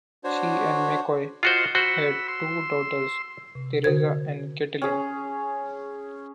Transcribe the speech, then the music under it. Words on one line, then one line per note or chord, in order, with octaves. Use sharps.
She and McCoy had two daughters, Theresa and Kaitlin.
D4 F#4 C5 C#5
F4 F#4 C5 D#5 F5 F#5
F#4 C5 B5 E6
C6 E6
C3
D3 F#4 A#4 C5 G#6
C#4 G#4